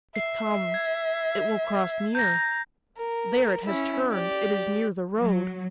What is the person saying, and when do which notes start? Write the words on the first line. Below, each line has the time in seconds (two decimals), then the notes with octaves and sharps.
It comes--it will cross near--there, it has turned, it is near the road!
0.16 E5 C7
0.74 G#6
2.15 A#5 G6 A#6
2.98 A#4
3.66 C#4 E4
4.11 G4 D5
5.17 F#3